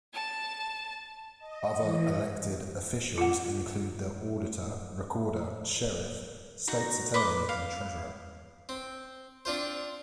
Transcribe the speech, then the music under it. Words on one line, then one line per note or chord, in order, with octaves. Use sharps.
Other elected officials include the auditor, recorder, sheriff, state's attorney, and treasurer.
A5
D#5
E3
F4 F#5
D#4 F#4 A#5
B4 C6 D6 D#6
F5
C4
C4 D4 F4 C5